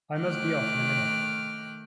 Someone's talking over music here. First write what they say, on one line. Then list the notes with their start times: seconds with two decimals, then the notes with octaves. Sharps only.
I must be off in a minute.
0.19 D#3 A3 G5 D6 F6 F#6